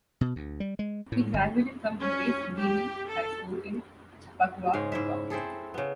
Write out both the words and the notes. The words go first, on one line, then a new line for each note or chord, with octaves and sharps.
He graduated from Horace Greeley High School in Chappaqua, New York.
B2
D2
G3
G#3
A2
G1
C#4
G4
A4
G#2 C#3 G#3 F5
G#2 E4 E5
C4 E4 G#4 A4
C#3 B3